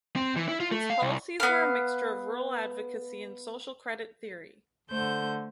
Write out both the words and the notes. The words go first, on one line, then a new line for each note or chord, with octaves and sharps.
Its policies were a mixture of rural advocacy and social credit theory.
C4
E3
E4
F4
A3
F5
C2
B3 F5
D3 A3 C5 G6